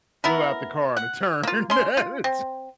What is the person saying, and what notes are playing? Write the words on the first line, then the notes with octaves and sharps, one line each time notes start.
flew out the car on a turn. Its
B3 E4 A#4
F#5
A#3 F4
C#4 C6
F4
C4